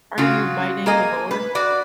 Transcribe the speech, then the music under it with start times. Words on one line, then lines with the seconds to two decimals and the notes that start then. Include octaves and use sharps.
Are you biting the board?
0.18 C#3 F4 F#4
0.86 A#3 G#4 D#5
1.31 B4
1.55 F#4 D5